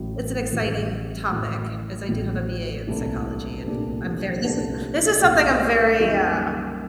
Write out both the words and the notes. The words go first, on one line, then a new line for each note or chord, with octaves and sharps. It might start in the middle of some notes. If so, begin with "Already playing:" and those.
it's an exciting topic as I do have a BA in psychology, and I'm very this is this is something I'm very, um
Already playing: A1 A2 F#3
A1 A2 F#3
A1 A2 F#3
A1 A2 F#3
C2 A#2 A3 D4 G4
C2 A#2 A3 D4 G4
C2 A#2 A3 D4 G4
C2 A#2 A3 D4 G4
F#2 D#3 G3 A#3 F#4